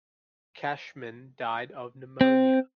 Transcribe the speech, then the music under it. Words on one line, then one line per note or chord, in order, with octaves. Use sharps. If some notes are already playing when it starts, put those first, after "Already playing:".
Cashman died of pneumonia.
C4